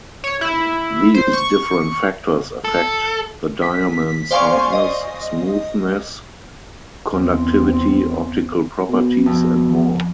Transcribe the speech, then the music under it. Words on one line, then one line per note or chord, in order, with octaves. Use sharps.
These different factors affect the diamond's hardness, smoothness, conductivity, optical properties and more.
C#5
E4
C5
C#6
A4
B6
C5 D5 F5 G#5 C6 C#6
D#5
E2 C4
B2
F2